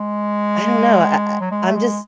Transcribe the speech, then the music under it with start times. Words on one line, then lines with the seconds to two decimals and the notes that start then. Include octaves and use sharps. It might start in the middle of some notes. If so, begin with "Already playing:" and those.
I don't know, I I I'm just
Already playing: G#3
1.40 F#3
1.51 G#3
1.65 A3
1.74 G#3